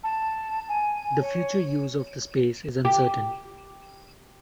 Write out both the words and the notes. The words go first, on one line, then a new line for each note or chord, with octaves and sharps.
The future use of the space is uncertain.
A5
G#5
C#5
G4